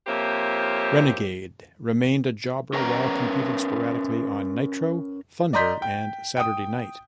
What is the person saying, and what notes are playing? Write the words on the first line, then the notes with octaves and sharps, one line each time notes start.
Renegade remained a jobber while competing sporadically on "Nitro", "Thunder", and "Saturday Night".
F2 A#3 G4 C5 C#5 E5
C#4 A#4 B4 G5 A#5
D5 D#5 A#5 C6 G6 B6
G5
G5 D#6